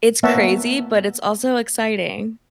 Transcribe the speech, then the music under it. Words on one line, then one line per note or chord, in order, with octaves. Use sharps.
it's crazy, but it's also exciting.
A#3 B3 C#5 E5 F#5 A5